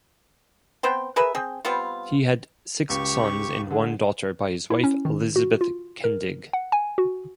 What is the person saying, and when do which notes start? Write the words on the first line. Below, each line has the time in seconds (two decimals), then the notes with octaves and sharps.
He had six sons and one daughter by his wife Elizabeth Kendig.
0.83 B3 C4 C5 G5
1.16 G#4 A#4 B4 E5
1.35 C4 G#4 G5
1.65 G3 B3 C4 F4
2.90 C#2 G4 C#6
3.70 D3 G#3
4.70 E4
4.84 C#4
5.05 D#3
5.36 F#4
5.61 F4
6.04 A#4
6.53 F#5
6.72 G#5
6.98 F#4